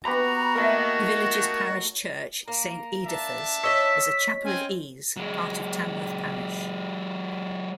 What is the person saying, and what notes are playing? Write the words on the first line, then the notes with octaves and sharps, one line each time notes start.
The village's Parish Church, Saint Editha's, is a chapel-of-ease, part of Tamworth Parish.
B3 F#4 G4 A#5 B5
A3 A#3 A#4 D#5
A#3 A#5
D4 E5 A5
C#5 D#5 E6 B6
C4 C#4 G#5
F#3 G#3